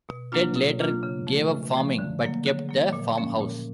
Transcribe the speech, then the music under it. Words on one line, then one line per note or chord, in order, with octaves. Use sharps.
Ted later gave up farming, but kept the farmhouse.
B2
F#3 A#3 D4 F4
B2
F#3 A#3 D4 F4
C#3
F3 A3
C#3
F3 A3
D3
F#3 A#3
D3
F#3 A#3
A#2
F3 A#3 C#4
A#2